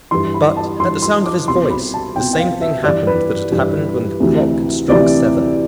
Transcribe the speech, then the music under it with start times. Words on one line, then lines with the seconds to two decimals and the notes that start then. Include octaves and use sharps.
But at the sound of his voice the same thing happened that had happened when the clock had struck seven.
0.11 G2 E3 C6
0.34 B5
0.57 A5
0.79 G2 E3 C6
1.02 C6
1.25 D6
1.48 C2 B2 C6
1.70 B5
1.94 A5
2.16 C2 B2 G5
2.33 G5
2.39 F5
2.61 E5
2.84 G2 E3 D5
3.07 B4
3.52 G2 E3
4.20 D2 C3 E3
4.88 D2 C3 E3 D5